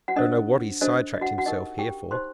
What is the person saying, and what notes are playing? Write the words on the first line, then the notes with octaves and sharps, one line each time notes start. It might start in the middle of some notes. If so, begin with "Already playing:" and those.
Don't know what he's side-tracked himself here for.
F#4 F#5
D4 A4 C5 D#5
D4 F#4 A4 C5 D#5
D#5
F#4 F#5
F#4 F#5
D#4 G4 A#4 D#5
G4 G5
D#4 G4 C5 C6